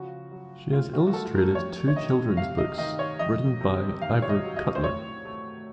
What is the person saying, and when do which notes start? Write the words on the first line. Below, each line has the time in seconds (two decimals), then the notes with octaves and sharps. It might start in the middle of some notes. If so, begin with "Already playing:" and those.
She has illustrated two children's books written by Ivor Cutler.
Already playing: C#3 F3 F#4
0.31 F#3
0.72 A2 F4
0.93 F#4
1.07 F#4
1.13 A3 A4
1.35 A#4
1.55 F2 C#5
1.88 C#5
1.96 D#3 D#5
2.37 C3 F5
2.58 D#5
2.78 D#3 D#5
2.99 C#5
3.19 F2 D#5
3.60 C3
4.01 D#3 F5
4.22 C#5
4.29 D#5
4.43 F#3
4.56 D#5
4.75 C5
4.84 A2 C#5
5.25 A3